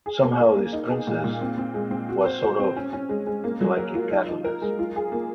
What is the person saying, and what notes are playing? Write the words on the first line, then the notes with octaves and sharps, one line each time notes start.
Somehow this princess was sort of like a catalyst.
G#4
A#3
A#3
A#3
D#4
G#4
A#2
A#2
C4
C4
G#3
C4
F#4
C5
C5
C4
C#4
C#4
G#3
G#3
A#3
F#3
A#4
F4
D#4
D#4
A#4
G#3
F4
G#4
A#3